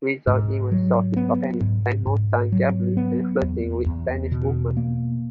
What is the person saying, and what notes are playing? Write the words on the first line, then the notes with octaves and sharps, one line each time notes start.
Rizal even saw his companions spend more time gambling and flirting with Spanish women.
G#2
F#3
B3
G#2
G#2
F#3
B3
E2
E2
B2
A#3